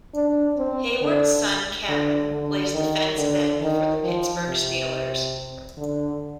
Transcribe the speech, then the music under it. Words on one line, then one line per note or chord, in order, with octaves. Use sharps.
Heyward's son Cameron plays defensive end for the Pittsburgh Steelers.
D4
C4
D3
D3
D3
D#3
D3
D#3
F3
C3
D3